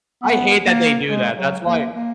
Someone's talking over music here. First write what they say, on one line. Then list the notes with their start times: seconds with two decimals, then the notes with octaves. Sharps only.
I hate that they do that, that's why
0.22 B3
0.66 A#3
1.08 G#3
1.37 F#3
1.66 A#3
1.94 A#3